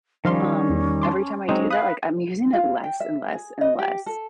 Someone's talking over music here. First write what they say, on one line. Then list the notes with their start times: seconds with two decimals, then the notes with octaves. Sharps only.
um, every time I do that, like, I'm using it less and less and less.
0.25 D#3 F3 G3 C#4 F5 C6
0.70 E2
1.02 A5 C6 D6
1.49 F#3 G#3 C4 D#4 C5
1.71 B4 F5 D#6 F#6
2.53 F4
2.84 G5
3.00 E5
3.33 G#4
3.61 D#5
3.79 G4
4.06 A4